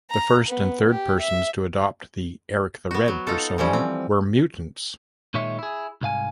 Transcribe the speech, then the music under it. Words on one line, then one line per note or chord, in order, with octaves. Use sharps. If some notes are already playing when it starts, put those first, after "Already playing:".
The first and third persons to adopt the "Erik the Red" persona were mutants.
A#5
B3
G4
E5
B3 F#4
F#3
D#4 F4 A4
E3 F3 G3 C#4
C4
A#2 D#3 G#3 C#5 E5
E4 G#4
C2 G#2 F5 G#5